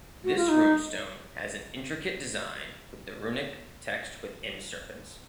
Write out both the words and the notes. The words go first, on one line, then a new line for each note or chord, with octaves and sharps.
This runestone has an intricate design with the runic text within serpents.
F#4
F4
D#4